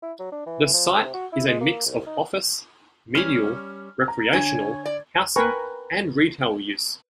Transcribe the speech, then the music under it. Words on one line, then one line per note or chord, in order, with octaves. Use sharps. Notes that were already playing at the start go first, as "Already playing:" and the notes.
The site is a mix of office, medial, recreational, housing and retail use.
E4
F#3
D4
E3
F3
C3
F#4
E4
G#3
A#3
C2
D#4
G3 C#4 F6
A#5
D3 C#5 G#5 G#6
D5
A#4 B4 G5 G#5 A#5 C#6